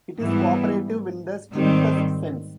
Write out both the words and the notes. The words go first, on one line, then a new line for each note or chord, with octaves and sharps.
It is co-operative in the strictest sense.
G#2 E3 G3 B3 E4
G#2 D#3 G3 C4